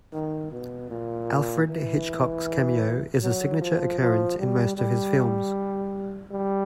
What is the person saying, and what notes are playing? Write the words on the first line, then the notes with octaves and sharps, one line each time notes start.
Alfred Hitchcock's cameo is a signature occurrence in most of his films.
D#3
B2
A#2
E3
F#3
F3
F3
G3
G3
G3